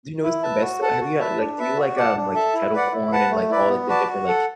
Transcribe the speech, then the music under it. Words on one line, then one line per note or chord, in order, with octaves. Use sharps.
do you know what's the best, though? Have you, uh, like do you like, um, like, kettle corn and, like, all, like, the different, like,
E4
B4 E5 A5
F#4
A4 F#5 A5
F#4
B4 E5 A5
D4
B4 E5 A5
F#4
D5 F#5 A5
D4
A4 E5 A5
E4
B4 D5 F#5
E4
B4 F#5 A5
A3
E4 B4 D5
B3
F#4 B4 D5 A5
F#4
A4 F#5